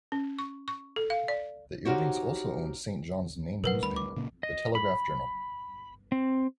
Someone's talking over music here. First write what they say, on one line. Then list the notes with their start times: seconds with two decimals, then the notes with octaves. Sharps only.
The Irvings also owned Saint John's main newspaper, The Telegraph-Journal.
0.12 C#4
0.39 C#6
0.68 C#6
0.96 A4
1.10 F5
1.28 D5
1.85 A#3 D#4 F#4 G4 C5 C#5
3.64 B2 F#3 G3 A#4 B4 F#5
3.83 D2 G3 B5
3.96 D6
4.16 A#2 C#3 A#3
4.43 D#5
4.75 B5
6.12 C4